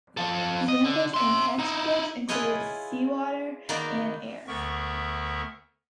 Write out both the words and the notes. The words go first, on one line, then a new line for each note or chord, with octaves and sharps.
Examples in textbooks included seawater and air.
F3 A4
D#5
D3
E5 C6
D#4 E4
E4 F4 G#4 B4 C#5 D#5
D#3 A#3 B3 F#4 D5
D2 D3 B3 A#4 E5 C#6